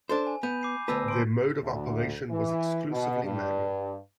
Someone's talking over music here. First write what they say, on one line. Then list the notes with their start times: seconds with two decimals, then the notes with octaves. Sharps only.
Their mode of operation was exclusively manual.
0.09 D4 A4 C5
0.27 G#5
0.43 B3 B5 G6 D#7
0.61 D6 C7 D#7
0.88 D2 B3 B4 A5 E6 A#6
1.08 C6 D7
1.63 D2
2.29 E3
2.90 B2
3.23 G2